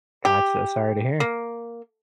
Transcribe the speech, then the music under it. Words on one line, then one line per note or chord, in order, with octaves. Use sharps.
Gotcha. Sorry to hear.
G4
A#3